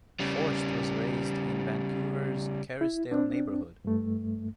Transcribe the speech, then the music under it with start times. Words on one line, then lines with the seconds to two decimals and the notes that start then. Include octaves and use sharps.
Forst was raised in Vancouver's Kerrisdale neighborhood.
0.20 C#3 G3
2.81 E4
3.11 C4 D4
3.85 G2 A3